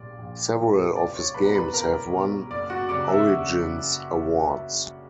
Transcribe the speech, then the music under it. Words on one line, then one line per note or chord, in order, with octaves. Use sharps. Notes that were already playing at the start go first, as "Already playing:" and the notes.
Several of his games have won Origins Awards.
Already playing: A#1 A#2 G3 D5
A#1
A#2 G3
C#2 D5
C#5
B2 F#3 B4 B5
A#5
B4 B5
C#2 A#4 A#5
B2 F#3
F#1 D5
F#4 F#5
F#2 C#3 G3 D5 D6
E5 E6